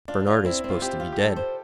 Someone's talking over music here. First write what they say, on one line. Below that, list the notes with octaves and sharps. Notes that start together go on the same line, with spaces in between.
"Bernard is supposed to be dead."
D4 F4
F4
C4 E4
C4
F4
C4 G4
F4
G4
G3 A4
C5